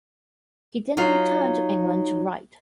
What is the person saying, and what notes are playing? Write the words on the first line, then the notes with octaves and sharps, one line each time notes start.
He then returned to England to write.
F#3 D#4 F4 F5